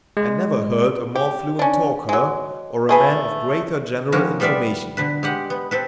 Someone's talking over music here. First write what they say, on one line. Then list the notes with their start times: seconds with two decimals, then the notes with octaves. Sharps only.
I never heard a more fluent talker, or a man of greater general information.
0.17 G#3
1.16 G4
1.59 C#4 D4
2.09 F#3 G#3
2.89 A3 G#4 B4
4.12 D#3 F3 G#3 C#4 F#4 A#4
4.40 G3 B3 F4 B4 D5 E5
4.97 B2 D3 B4
5.23 G#3 G4 F#5
5.50 B3
5.71 C4 A4 B4